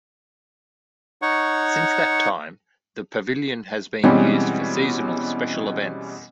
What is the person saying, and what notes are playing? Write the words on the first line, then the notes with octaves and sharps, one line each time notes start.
Since that time, the pavilion has been used for seasonal special events.
D#4 C#5 F#5 C#6
B2 E3 G3 G#3 C4 C#4